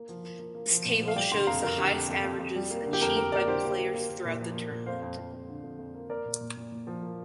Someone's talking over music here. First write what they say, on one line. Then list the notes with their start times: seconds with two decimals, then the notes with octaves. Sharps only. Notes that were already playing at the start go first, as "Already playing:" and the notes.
This table shows the highest averages achieved by players throughout the tournament.
Already playing: A#3
0.09 F3
0.24 A#3
0.39 A#3
0.55 A#3
0.70 F3
0.85 A#2
1.01 F3
1.08 F5
1.16 G3 D5 G5
1.32 D3 G5 C6
1.47 F2 F5 A#5
1.62 F2 A#4
1.78 D3 G4
1.93 F2
2.09 F2
2.24 F2
2.39 F2
2.56 G3
2.71 A#3
2.86 D3
2.93 G4
3.01 F2 A#4
3.17 F2 A#4
3.32 A#3 A#4 D5
3.48 D3 G4 C5
3.63 A#3
3.78 A#3
3.94 A#3
4.09 A#3
4.25 A#2
4.40 F3
4.55 A#3
4.71 A#2
4.86 F2 C5 F5
5.02 F2
5.17 F2
5.33 F2
5.49 D3
5.63 F2
5.79 F2
5.94 A#3
6.10 A#3 A#4 D5
6.25 A#2
6.41 A#2
6.57 A#2
6.72 A#2
6.87 F3
7.03 A#3